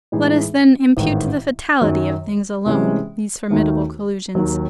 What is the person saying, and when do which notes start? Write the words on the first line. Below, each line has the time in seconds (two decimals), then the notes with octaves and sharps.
Let us, then, impute to the fatality of things alone these formidable collisions.
0.12 A2 E3 G#3 D#4 G#4
0.97 A1 G#2 D#3
1.81 F#2 D#3 F#3
2.66 C3 E3 G#3 C#4
3.50 D#2 D#3 A3 D#4 F#4
4.35 D#2 D#3 F#3